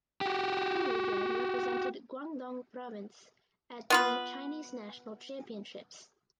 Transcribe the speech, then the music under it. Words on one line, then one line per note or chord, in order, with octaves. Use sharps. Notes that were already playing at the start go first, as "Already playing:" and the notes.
Ou again represented Guangdong province at the Chinese National Championships.
F#4 G4
B3 F4 B4